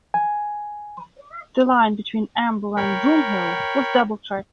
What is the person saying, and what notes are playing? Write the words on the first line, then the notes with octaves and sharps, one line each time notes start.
The line between Amble and Broomhill was double-track.
G#5
A#4 C#5 G5 B5